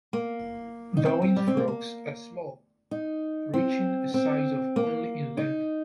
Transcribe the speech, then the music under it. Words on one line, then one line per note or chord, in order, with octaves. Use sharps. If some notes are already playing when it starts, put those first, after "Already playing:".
Darwin's frogs are small, reaching a size of only in length.
A#3
D#4
C4
C4
G3
C4
A#3
A#3
D#4
C4
C4
A#3
D#4